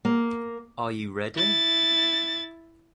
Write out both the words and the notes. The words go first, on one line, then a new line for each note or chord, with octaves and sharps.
Are you ready?
A#3
E4 A6